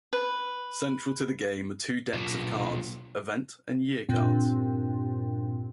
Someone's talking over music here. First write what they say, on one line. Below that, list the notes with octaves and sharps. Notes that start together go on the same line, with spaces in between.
Central to the game are two decks of cards, Event and Year cards.
B4
B1 A#2
G2 A#2 C4